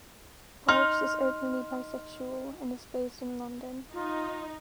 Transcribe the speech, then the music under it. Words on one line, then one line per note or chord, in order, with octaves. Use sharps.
Parks is openly bisexual and is based in London.
D#4 C6 F6
D#4 F4